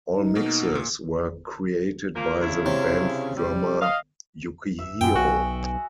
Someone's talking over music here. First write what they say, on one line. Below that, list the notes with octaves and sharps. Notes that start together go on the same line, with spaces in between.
All mixes were created by the band's drummer, Yukihiro.
D#4
B2 A#3
A#2
A#2 F3 A#3
F#2 C#3 D4 E4
C3 C#4
G3
D#5 F5
E5
F#2 G#4 G5
B1 F#4